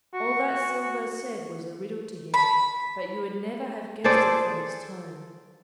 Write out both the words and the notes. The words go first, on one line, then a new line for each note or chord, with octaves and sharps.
All that Silver said was a riddle to him, but you would never have guessed it from his tone.
F#4
B5
G#4 A4 C5 D5